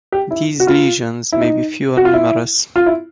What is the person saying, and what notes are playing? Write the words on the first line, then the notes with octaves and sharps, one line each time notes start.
These lesions may be few or numerous.
G4
E4
F#4
F4
E4
D#4
F#4
F4
E4
F4
E4